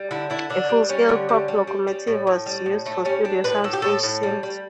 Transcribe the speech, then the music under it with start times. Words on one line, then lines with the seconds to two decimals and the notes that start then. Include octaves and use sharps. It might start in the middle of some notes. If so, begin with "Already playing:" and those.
A full-scale prop locomotive was used for studio sound stage scenes.
Already playing: G3
0.11 D3 E4
0.30 D3 E4
0.50 D3 D4
0.69 G3
0.89 G3 C#4
1.09 D3
1.29 G3
1.48 G3
1.67 G3
1.87 G3
2.07 A2
2.27 A2
2.46 G3
2.66 A2
2.86 A2 A3
3.05 G3 C#4
3.24 G3 D4
3.44 A2 B4
3.64 A2 A4
3.73 G4
3.82 A2 A4
4.03 A2
4.23 G3
4.43 G3